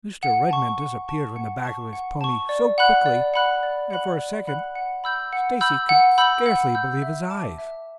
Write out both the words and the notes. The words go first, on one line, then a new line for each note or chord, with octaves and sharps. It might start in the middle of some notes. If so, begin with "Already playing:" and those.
Mr. Redman disappeared from the back of his pony so quickly that, for a second, Stacy could scarcely believe his eyes.
F#5
A5 C#6
F#5
A5 C#6
F#5
A5 C#6
F#5
A5 C#6
D5
F#5 B5 F#6
D5
F#5 B5 F#6
D5
F#5 B5 F#6
D5
F#5 B5 F#6
F#5
B5 E6 G6
F#5
B5 E6 G6
F#5
B5 E6 G6
F#5
B5 E6 G6
E5
A5 D6
E5